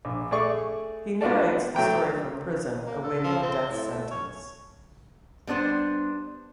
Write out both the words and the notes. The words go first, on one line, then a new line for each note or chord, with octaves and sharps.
He narrates the story from prison, awaiting a death sentence.
A#1
A3 G#4 D5 C#6
B3 D4 F4 F#4 D5 A5
F#3 A3 G5 A#5
A#3
A4
F3
C4
A2
A3
C#5
G3 B3 D4 C5